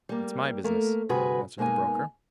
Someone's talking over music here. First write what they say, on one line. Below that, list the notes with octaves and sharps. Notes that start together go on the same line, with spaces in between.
"That's my business," answered the broker.
G3 A#3
A3 A#3 A#4
D2 G2 C3 F#4 G#4 B4
B2 G#3 A#3 D#4 G#5